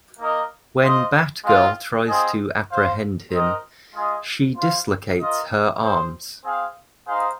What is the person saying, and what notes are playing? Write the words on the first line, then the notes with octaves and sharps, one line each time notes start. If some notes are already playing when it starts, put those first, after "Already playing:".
When Batgirl tries to apprehend him, she dislocates her arms.
A#3 D#4 A#4 D#5
F4 C5 D#5
G#3 C4 F4
C4 F4 G#4 D#5
F4 C5 F5
C4 D#4 A#4 D#5
G#3 F4 G#4 D#5
F4 C5 F5
F4 A#4 D#5
C4 G#4 C5
C4 G#4 F5
D#4 G#4 C5 F5